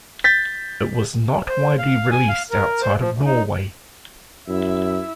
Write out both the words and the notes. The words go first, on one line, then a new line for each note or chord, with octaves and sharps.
It was not widely released outside of Norway.
G6 A6 B6
C5
F5
G#5
F5
A#4
C5
F3
D2
D#4
F#2 E4 E5